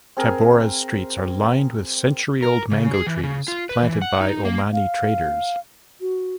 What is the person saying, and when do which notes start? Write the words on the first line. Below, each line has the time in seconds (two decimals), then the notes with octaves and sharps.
Tabora's streets are lined with century-old mango trees planted by Omani traders.
0.17 C4 G#4 A#4
2.42 A#4
2.71 C#3
2.94 G#4
3.07 E3
3.23 C#3
3.48 F4
3.69 B4
3.83 E3
4.02 F#5
4.21 D#4
4.45 A#3
4.72 F5
6.01 F#4